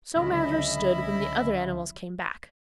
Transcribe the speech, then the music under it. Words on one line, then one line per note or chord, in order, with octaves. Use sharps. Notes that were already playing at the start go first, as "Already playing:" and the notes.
So matters stood when the other animals came back.
C#2 D3 F#3 C#4 E4 D#5 B5